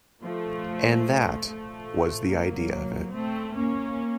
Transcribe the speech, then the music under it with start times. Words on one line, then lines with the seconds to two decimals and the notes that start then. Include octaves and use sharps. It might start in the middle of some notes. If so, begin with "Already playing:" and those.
And that was the idea of it.
0.23 F3 A3
1.48 F3 A3
2.31 F#3 A#3
3.14 A3 C4
3.55 A#3 C#4